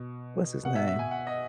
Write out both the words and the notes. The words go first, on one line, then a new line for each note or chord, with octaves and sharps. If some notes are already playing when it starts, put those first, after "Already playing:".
What's his name?
Already playing: B2
B2 F#5
E5
E5
G#5
F#5
D#5